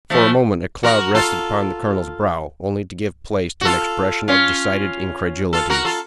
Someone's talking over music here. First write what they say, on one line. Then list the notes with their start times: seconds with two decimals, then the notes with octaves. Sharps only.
For a moment a cloud rested upon the colonel's brow, only to give place to an expression of decided incredulity.
0.10 F3 A3
0.83 F#4 A#4
1.15 F4 A4
3.61 F#4
3.65 F4 A4
4.28 C#4 F4
5.53 F4 A4
5.70 F#4 A#4
5.85 F4 A4